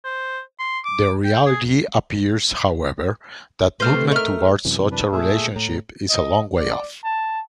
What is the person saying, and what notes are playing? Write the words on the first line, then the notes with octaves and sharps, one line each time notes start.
The reality appears however that movement towards such a relationship is a long way-off.
C5
C6
D6
G5
G#4
C3 A3 B4 C5 F6
A3 D#4 A#4 F6
F#2 C3 E3
D4 B4
A#2 A3 G#4 E5
A2 A#5
D#5
D5
A5